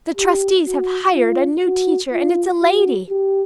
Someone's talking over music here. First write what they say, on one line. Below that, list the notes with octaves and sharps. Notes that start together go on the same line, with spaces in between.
The trustees have hired a new teacher and it's a lady.
G4
F#4
F4
F#4
F4
F#4
G4